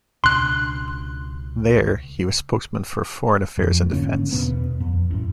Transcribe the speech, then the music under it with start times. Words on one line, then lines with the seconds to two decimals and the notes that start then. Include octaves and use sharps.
There he was spokesman for foreign affairs and defence.
0.24 C#2 B2 D4 C6 F#6
3.57 F2 F3
3.93 G#1 D3 A#3 C#4
4.32 E2 B2 B3
4.80 F2
5.11 A1 F#2